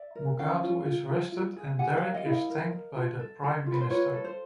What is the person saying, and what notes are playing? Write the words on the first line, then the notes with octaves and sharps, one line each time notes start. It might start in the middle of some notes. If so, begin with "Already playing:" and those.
Mugatu is arrested, and Derek is thanked by the Prime Minister.
Already playing: D5 E5
A#4
C#4 F5 G5
F4
F4
F4
F4
G#4
G4 F#5 G#5
F5 G5
A#4
D#5 F5
E4
D#5 F5
A#4
A#4
F4
A4
A4
F4
B4
C5
F4 B4 C#5
A4
C5